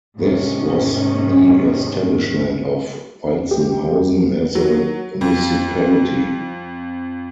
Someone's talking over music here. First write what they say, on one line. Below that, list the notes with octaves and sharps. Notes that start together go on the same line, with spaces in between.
This was the establishment of Walzenhausen as a municipality.
G#2 C3 D#3 C#4
G4
F#3
F2